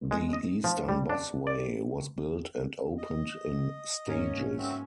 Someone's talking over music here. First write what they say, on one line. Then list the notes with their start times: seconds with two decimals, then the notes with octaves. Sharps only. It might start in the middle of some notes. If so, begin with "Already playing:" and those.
The Eastern Busway was built and opened in stages.
0.11 G#3
0.33 D#5
0.64 F3
0.89 G3
1.10 D4
1.47 D5
2.98 D#5
4.07 G#2 A#3 C#4
4.58 C4 F#4 E5